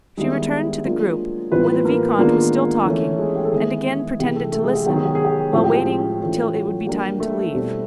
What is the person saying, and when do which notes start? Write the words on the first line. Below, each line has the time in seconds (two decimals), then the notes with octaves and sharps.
She returned to the group where the vicomte was still talking, and again pretended to listen, while waiting till it would be time to leave.
0.17 D#3 G3 G#3 B3 E4 G#4
0.84 F#3 A#3 D4 F4
1.52 A2 E3 G3 B3 C4 F4 B4
1.85 A#3 A#4
2.18 D#3 G#3 A#3 B3 D4 F4 A#4
2.85 E3 A3 C#4
3.19 G#3 G#4
3.36 G4
3.44 A4
3.52 D#3 G#3 B3 E4 G#4
4.19 C3 E3 G#3 G4
4.35 A3 A4
4.52 A3 A4
4.64 G#3 G#4
4.75 G4
4.86 D#3 F#3 B3 G4
4.96 G#4
5.05 G4
5.15 G#4
5.24 G4
5.53 A2 F3 G#3 C4 G4
5.64 G4
5.75 G4
6.20 E3 A3 C#4 F4
6.54 F#4
6.87 F#3 A#3 D4 G4
7.20 A3 A4
7.54 B2 G3 C4 E4